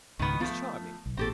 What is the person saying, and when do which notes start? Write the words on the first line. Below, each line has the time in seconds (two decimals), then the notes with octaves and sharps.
She was charming.
0.19 C#2 G#2 D#3 B3
0.40 F3 A3 B3
1.06 B1
1.17 A1 A#2 C4 G4 A4